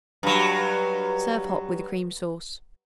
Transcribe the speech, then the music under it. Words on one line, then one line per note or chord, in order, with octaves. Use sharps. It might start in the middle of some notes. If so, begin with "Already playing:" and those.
Serve hot with a cream sauce.
G2 F#3